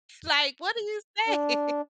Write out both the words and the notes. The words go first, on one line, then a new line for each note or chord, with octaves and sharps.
like, what do you say,
D4